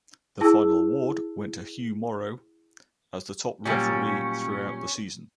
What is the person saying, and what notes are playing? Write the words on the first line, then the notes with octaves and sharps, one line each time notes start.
The final award went to Hugh Morrow as the top referee throughout the season.
E4 G#4 A5 E6
A#2 F#3 G3 C#4